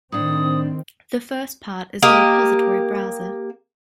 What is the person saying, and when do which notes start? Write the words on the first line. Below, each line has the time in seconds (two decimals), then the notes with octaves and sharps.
The first part is the repository browser.
0.12 A2 D#3 C4 D4 D#6
2.02 A#3 G4 D#5